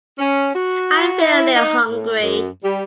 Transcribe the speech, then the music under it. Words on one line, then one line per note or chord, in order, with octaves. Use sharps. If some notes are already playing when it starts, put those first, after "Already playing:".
I'm feeling a little hungry.
C#4
F#4
E4
D#4
A2
F#2
G3